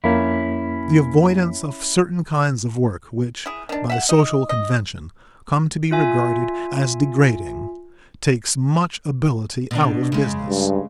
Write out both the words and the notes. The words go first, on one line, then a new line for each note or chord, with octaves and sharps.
The avoidance of certain kinds of work which, by social convention, come to be regarded as degrading, takes much ability out of business.
F2 A#3 C#4 E4
E4 G#4
D#3 D4
E5 F#5
D#4 D#5
D#5
F4 E5 G#5
B2 D4
C#3 G#3
G2